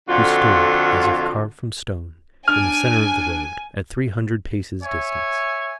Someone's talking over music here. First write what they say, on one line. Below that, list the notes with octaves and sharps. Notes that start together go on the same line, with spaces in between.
He stood, as if carved from stone, in the center of the road, at three hundred paces' distance.
F2 D3 F4 F#4
D4 G#5 F6
C#5 E5 G#5